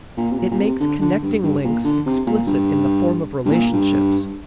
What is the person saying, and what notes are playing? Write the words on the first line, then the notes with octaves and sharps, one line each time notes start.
It makes connecting links explicit in the form of relationships.
A#2
C3
A#2
A#2
C3
D3
D3
G2
G2
A#2
D3
C3
A#2
G2
G2
A#2
G2